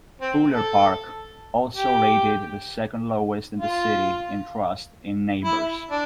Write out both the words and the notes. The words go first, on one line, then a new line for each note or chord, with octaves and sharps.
Fuller Park also rated the second-lowest in the city in trust in neighbors.
C4
A4
G4
F4
E4
D4